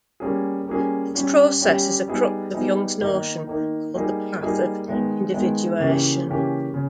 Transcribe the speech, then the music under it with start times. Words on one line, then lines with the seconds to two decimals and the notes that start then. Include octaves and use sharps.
This process is the crux of Jung's notion called the path of individuation.
0.20 G3 A#3 C#4 G#4
0.67 G3 A#3 C#4 G#4
1.14 G3 C#4 G4
1.61 G3 C#4 G4
2.08 G3 B3 D#4 G#4
2.54 G3 B3 D#4 G#4
3.00 D#3 A#3 D#4
3.47 D#3 A#3 D#4
3.94 G3 A#3 D#4 G#4
4.41 G3 A#3 D#4 G#4
4.88 D#3 G#3 B3
5.34 D#3 G#3 B3
5.80 C#3 E3 A#3 C#4 G4
6.27 C#3 E3 A#3 C#4 G4
6.74 C#3